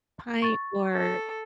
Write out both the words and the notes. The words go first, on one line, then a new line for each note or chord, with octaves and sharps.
pint or
C#6 A6
A4